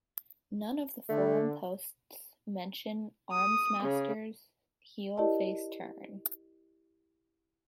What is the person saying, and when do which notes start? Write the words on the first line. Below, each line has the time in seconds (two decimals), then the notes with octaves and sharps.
None of the forum posts mention Armsmaster’s heel-face turn.
1.09 D3 A3
3.32 D#6
3.83 C#3
5.17 E4 G4 A#4 D5 D#5 A5